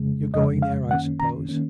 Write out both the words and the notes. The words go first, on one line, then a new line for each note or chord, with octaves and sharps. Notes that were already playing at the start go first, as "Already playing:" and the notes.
You're going there I suppose.'
Already playing: F2 C#3 G#3
F2 C#3 G#3 D#5
F5
F#2 D#3 A#3 C#4 F#5
A#5
D#3 A#3 C#4